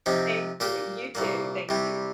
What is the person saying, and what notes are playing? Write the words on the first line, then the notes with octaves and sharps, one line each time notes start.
Thank you. You too. Thank you.
C3 F3 C4 D#4
A#2 A#3 G4 A#4
C2 A#2 A#3
C2 C3 G3